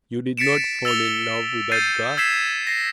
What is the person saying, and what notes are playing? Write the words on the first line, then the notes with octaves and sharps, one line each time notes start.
"You did not fall in love with that girl?"
A6 B6 C#7 D7 E7
E6 A6 F7 G7
G6 A6 C7 D#7
E6 G#6 B6 C7 E7
A#6 C7